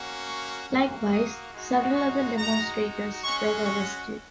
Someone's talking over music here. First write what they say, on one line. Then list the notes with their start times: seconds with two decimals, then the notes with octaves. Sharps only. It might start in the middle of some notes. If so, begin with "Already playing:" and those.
Likewise, several other demonstrators were arrested.
Already playing: A#3 C#4 F#4
0.25 C#6
0.67 A#3 F#4
1.10 D#6
1.53 G#3 D#4 F#4
1.95 C#6
2.37 G#3 D#4 F#4 A#5
3.22 G#3 C#4 F#4 C#6
3.65 C#6